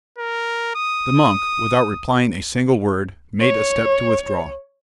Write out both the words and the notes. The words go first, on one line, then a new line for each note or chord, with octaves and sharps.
The monk, without replying a single word, made a step to withdraw.
A#4
D#6
C#5